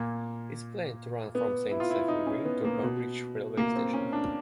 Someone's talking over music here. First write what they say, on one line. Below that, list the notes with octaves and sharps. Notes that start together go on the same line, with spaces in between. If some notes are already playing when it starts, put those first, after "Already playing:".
It is planned to run from Saint Stephen's Green to Broombridge railway station.
Already playing: A#2 A#3
B3
E4
F4
E4
D#4
C#4
B3
A#3
B2
A#3
C4
C#4
D4